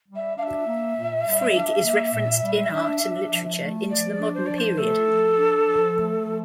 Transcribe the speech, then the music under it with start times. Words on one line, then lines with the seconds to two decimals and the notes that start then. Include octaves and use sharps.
Frigg is referenced in art and literature into the modern period.
0.09 G3
0.15 E5
0.37 D4 F5
0.42 E5
0.67 A#3
0.97 A#2
1.26 G3
1.55 D4
1.84 A#3
2.13 A#2
2.43 G3
2.73 D4
3.02 D4
3.31 F3
3.60 A3
3.89 F3 D5
4.19 D4
4.34 C5
4.46 F3 D5
4.58 C5
4.77 A3 A4
5.06 F3
5.35 D4
5.65 F3
5.95 A3
6.24 F3